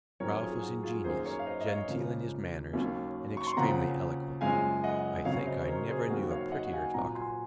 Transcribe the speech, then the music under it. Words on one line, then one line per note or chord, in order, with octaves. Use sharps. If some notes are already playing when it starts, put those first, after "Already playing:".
Ralph was ingenious, genteel in his manners, and extremely eloquent; I think I never knew a prettier talker.
F#2 D#3 F#3 C4 A#4 C#5
F4 G#4
G#4
F#4
F4 G#4
F#2 D#3 A#3 C#4 G#4 C5
A#4 C#5
F5
C5 D#5
D#5
C#5 F5
C#2 C#3 F3 A#3
D#2 D#3 F#3 C#4
C#6
C6
D#2 C#3 F3 C4 F#5 A#5
F#1 F#2 F3 G#3 C#4 F5 G#5
D#5 F#5
F2 C#3 F#3 C#5 F5
C5 D#5
C5
A#4 C#5
G#4 C5
D#2 D#3 F#3 C4 F#4
C#5 F5
D#5 F#5
F5 G#5
A#1 A#2 F#3 F#5 A#5
G#5 C6